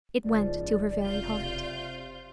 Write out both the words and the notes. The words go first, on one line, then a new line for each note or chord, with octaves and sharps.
It went to her very heart.
F#1 C#2 G#2 F3 D5
C3 F4 F5 G6